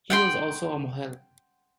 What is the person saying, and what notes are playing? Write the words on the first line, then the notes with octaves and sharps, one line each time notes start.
He was also a mohel.
F#5 G5 C6